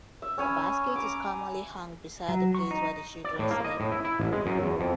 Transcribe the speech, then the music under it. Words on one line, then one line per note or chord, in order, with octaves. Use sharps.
The basket is commonly hung beside the place where the children sleep.
E5
C#4 C#5 G#5 B5
A#5 D6
F#3
C#6
D#4
D5
A2
A#3
D#5
A2
E4
E4
A1
G#3
F#2
E2
F2